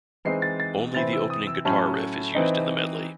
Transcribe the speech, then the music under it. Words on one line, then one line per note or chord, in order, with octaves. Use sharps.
Only the opening guitar riff is used in the medley.
E3 G#3 C4 D#4 C7
A6
A6
C3 E3 C4 E4 A6
E6
D#6
E6
A2 F#3 A3 C#4 A5
E3 C4 D#4